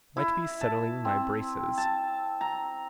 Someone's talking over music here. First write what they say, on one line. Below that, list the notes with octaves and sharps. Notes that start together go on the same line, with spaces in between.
Might be settling my braces.
E4
A5
C4
A5
A#5